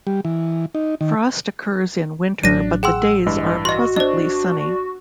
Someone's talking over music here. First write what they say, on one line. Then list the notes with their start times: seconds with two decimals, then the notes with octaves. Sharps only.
Frost occurs in winter but the days are pleasantly sunny.
0.07 G3
0.25 E3
0.75 D#4
1.01 D#3
2.43 A1 F#3 D4 A#6 D#7
2.83 G#4 F#5 G5 C6 E6
3.26 G2 E3 G#3
3.65 F#4 D#5 C6
3.96 D4 C5 D#5